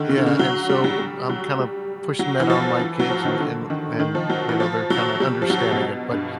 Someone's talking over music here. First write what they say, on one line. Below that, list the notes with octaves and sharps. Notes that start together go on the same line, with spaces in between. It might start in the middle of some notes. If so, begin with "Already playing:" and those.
yeah, and so I'm kinda pushing that on my kids and and and, you know, they're kinda understanding it, but
Already playing: D3 D#3
C#3
D3
C#3
F#3
G3
F#3
G3
F#3
G3
F#3
E3
F3
E3
F#3
F3
D#3
D3
D#3
D#3
F3
F#3
E3
F3
F#3
G3
F3
F#3
F3
B2
G2